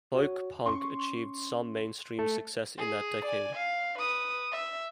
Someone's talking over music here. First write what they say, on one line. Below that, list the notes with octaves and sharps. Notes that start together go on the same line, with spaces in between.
Folk punk achieved some mainstream success in that decade.
F#4 C#5
C#4 C6 C#6
A3 A4
G#4
D5 G#5
F5
B4 D#6
E5